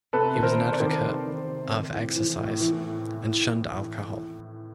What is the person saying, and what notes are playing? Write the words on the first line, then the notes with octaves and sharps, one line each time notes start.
He was an advocate of exercise and shunned alcohol.
C3 A4 B4
D#3
A#4 C5
C3
C5 D5
D#3
C3
D#3
C3
D#3
A2
E3
A2
E3